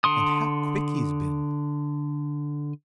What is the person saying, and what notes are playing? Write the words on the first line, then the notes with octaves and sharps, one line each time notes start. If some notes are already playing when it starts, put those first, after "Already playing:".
And how quick he's been!
D3 C6 D#6